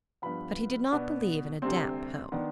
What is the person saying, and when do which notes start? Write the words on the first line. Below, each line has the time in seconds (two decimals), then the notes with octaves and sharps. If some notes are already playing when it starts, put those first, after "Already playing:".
But he did not believe in a damp home.
0.22 G2 F3 B3 B5
0.92 B2 B3 D4
1.62 D2 C3 G3 C4 C6
2.32 D#3 B3 D4